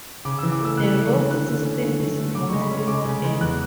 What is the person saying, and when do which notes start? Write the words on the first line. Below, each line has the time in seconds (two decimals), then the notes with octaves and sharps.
The road system is mostly modern.
0.25 C#3 D6
0.39 E6
0.43 E3
0.52 D6
0.61 A3 E6
0.77 C#3 F#6
0.95 C#3
1.13 E3
1.31 D3 F#6
1.48 A3
1.65 C#4
1.82 D3
2.00 D3
2.19 A3
2.35 C#3 D6
2.48 C#6
2.52 G#3
2.61 B5
2.71 C#4 C#6
2.87 C#3 D6
3.05 C#3
3.24 G#3
3.41 E2 F#6